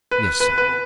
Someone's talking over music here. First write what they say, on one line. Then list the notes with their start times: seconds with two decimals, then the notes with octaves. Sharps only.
"Yes, sir."
0.11 B4
0.40 B4
0.58 B4